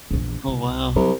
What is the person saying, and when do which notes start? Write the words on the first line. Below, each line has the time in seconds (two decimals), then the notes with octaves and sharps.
Oh, wow.
0.11 A#1 E2
0.48 C2
0.96 C2 F#3